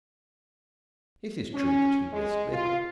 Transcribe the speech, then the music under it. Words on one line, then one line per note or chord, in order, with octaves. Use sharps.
It is true that he risked little.
C#4
G#3
F4